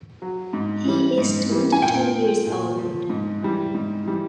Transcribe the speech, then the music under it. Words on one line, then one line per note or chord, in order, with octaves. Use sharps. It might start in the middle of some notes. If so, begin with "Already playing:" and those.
He is twenty-two years old.
F#3
G#2
E3 G3
G#2
E3 G3
G#5
A#2 G5
F3
A#2
F3
G#2
E3 G3
G#2
E3 G3